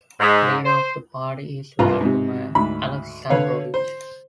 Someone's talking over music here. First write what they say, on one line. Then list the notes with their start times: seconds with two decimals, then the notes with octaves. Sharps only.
Leader of the party is Vladimir Alexandrovich.
0.20 G#2
0.65 C5
1.79 C2 G2 F4 B4 A#5
2.01 G#2 C3
2.55 D2 G#2 B5
3.30 D3 B4 C#5 F5
3.74 C5